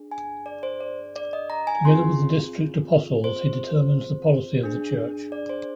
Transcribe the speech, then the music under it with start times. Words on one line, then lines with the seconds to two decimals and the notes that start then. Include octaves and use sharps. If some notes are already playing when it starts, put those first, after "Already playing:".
Together with the district apostles he determines the policy of the church.
Already playing: D4 G#4
0.11 G#5
0.46 D5
0.63 C5
0.81 D5
1.16 D5
1.33 D#5
1.50 A#5
1.67 G#5
1.85 C4 F4 G#4 C6
3.24 C5
4.63 D4 G#4
5.32 D5
5.49 C5